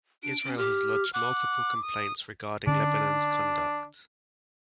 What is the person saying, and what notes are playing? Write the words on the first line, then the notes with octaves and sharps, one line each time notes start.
Israel has lodged multiple complaints regarding Lebanon's conduct.
D4 D7
C#4
G4 F6
F#5 D6
D#6
D3 C#4 D4